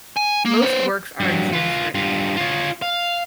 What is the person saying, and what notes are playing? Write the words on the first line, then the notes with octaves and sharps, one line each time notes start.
Most works are in Sanskrit.
G#5
A#3
B3 C5
G2 F#3
F4 B4
G2 F4
F4 C#5
F5